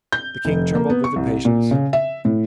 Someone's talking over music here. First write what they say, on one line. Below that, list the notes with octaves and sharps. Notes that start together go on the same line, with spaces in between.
The king trembled with impatience.
G6
F1
A#3
B3
C#6
C2
A#2
C#3
E5
A2